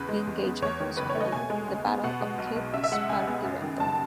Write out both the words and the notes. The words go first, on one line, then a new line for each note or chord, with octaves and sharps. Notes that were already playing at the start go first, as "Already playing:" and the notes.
The engagement was called the Battle of Cape Spartivento.
Already playing: E2 C#3 B4
G#3
E2
B3
E2 C#5
D#3 C#5
F#1 B4
C#5
A3
D#5
B2 G#5
G#3
C#2
B3
B2 F#5
G#3
B1
B1
C#3 E5
E5
G#3 F#5
C#2 G#5
B3
F#2
D#3
F#1 A5